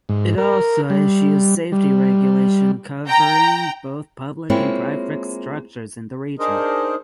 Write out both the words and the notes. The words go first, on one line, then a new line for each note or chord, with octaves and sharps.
It also issues safety regulation covering both public and private structures in the region.
G#2
A#4
G3
G3
G5 A#5
G#3 A#3 C4 E4 F4 C#5
D4 D#4 G#4 A#4 C5 D#5